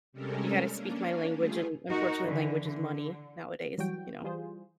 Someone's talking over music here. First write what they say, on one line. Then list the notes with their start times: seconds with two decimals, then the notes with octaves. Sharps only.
You gotta speak my language, and unfortunately, language is money nowadays, you know?
0.13 C3 G3 G#3 C#4 A4 A#4
0.72 A#3 C#4 D4
1.33 G3 A3 F4 G#4
1.89 D#4 F#4 A#4
2.24 D3 E3
2.66 D3
3.78 E3 F#3 G3 F#4 G5
4.24 E3 G3 F4 G#4 C5